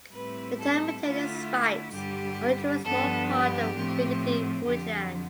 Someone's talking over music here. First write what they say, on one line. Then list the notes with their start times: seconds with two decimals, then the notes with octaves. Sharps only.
The town maintained its rights only to a small part of the rickety woodland.
0.14 A2 G3 C4 E4 B4
0.59 A4
1.04 D3 A3 E4 F4
1.95 G2 D3 G3 G4
2.85 G2 F3 B3 D4 A4
3.30 G4
3.76 A2 F3 C4
4.66 F2 D3 F3 G4